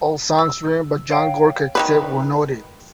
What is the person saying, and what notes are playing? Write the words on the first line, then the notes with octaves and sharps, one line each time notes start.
All songs written by John Gorka except where noted.
E6
C#5 F5 G5
D#3 F#3 B4